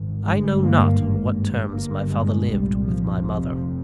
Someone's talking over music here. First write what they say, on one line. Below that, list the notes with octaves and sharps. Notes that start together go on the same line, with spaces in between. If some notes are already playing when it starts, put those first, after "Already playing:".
I know not on what terms my father lived with my mother.
Already playing: G#1
G1 G2 G#3
A#3
G#1 G2
G1 G2 A#3
G#3
C2 A#2 G3
F3
F1 F2 C3